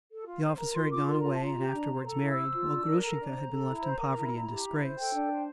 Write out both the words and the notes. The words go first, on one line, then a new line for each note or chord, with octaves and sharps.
The officer had gone away and afterwards married, while Grushenka had been left in poverty and disgrace.
A4
F4
C5
A#4 A#5
F4 C6
F4 D6
A#4 C6
F4 A#5
A5
F4
A#5
G4
D4
C5
A4 A#5
E4
E6
C5
F4
D4
A#4
A4 A#5
D4
C5
A4
E4
C5
A#4
E4
E4
G4
E4
C5
A4 G5
D4
C5